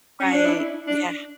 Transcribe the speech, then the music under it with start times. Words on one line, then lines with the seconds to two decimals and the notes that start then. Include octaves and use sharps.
Right, yeah.
0.20 C#4
0.32 D4
0.46 E4
0.87 D4